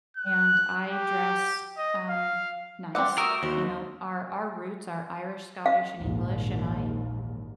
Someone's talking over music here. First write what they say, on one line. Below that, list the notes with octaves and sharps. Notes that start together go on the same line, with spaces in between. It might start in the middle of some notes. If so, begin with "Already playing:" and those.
and I dress, um, nice. You know, our our roots are Irish, Scottish, and English, and I
F#6
G4
D#5
F5
G3 C4 D5 F#5
A3 F#4 A#4 D#6 E6
D#2 F#4 C5
F5
A#1 D#2 G#2